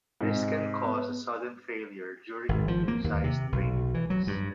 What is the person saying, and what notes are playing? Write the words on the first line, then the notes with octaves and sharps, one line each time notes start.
This can cause a sudden failure during medium-sized rain events.
G#2 C3
B3
G#1
F3
A#3
D#2
C3
B1
E3
F#3
G2